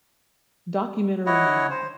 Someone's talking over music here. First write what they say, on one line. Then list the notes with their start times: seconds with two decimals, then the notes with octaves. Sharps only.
Documentary Now.
1.26 E4 C#5 D#5 F#5
1.70 C5